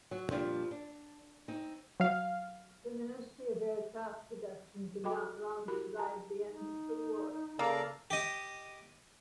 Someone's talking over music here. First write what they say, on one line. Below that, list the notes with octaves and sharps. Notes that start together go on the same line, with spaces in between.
The Ministry of Aircraft Production did not long survive the end of the war.
F#3
F2 A#2 F3 G3 D4
D4
C4 D#4
F#3 F5
F#4 A4 D#5 G5 B5 D6
E4 F#4 G4 A#4 B5
G4 A5 A#5
D#4
C#3 A#3 A4 D5 F5 A#5
G4 D#5